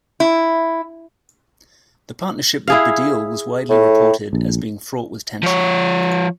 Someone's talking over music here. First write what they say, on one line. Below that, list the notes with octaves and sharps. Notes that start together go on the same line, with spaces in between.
The partnership with Baddiel was widely reported as being fraught with tension.
E4
E4 G#4 F5
A2
A#1
F3 C#5